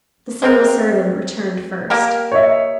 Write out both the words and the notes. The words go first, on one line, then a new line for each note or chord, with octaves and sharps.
The single servant returned first.
G#3 C4 A#4
A#3 G4 A#4
C#5 D#5 E5